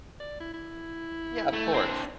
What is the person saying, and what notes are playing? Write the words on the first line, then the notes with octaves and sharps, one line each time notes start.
Yeah, of course.
D5
E4
E4
A3
C4 D4